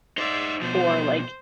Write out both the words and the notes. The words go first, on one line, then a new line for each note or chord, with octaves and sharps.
or like
D#4 C5 D5 E5
B2 F3 C5